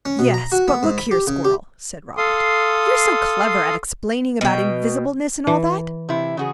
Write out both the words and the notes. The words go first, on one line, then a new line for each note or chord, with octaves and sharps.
'Yes, but look here, Squirrel,' said Robert; 'you're so clever at explaining about invisibleness and all that.
C#4
B2
A#5
F#4
B3
G#2
B5
G4
C#3
G4
A4 F5 C6 D#6
B2 G5
E3
C3 E4
C#3 F#4 G#4